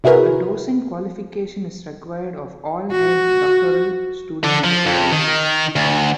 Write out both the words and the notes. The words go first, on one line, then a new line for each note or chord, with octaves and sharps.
A docent qualification is required of all head doctoral student supervisors.
C3 E4 F#4 G#4 A#4 B4
F#4
D3
F3
F2
D#3
D2